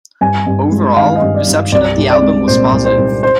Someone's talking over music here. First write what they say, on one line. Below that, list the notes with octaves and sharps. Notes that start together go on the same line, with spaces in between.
Overall, reception of the album was positive.
G2 G#5
G2
G#3
D#3 F5
D#5
G2
D5
G2
C2 D5
C2
D5
G#3
A#2 C5
C2
C5
C2
C5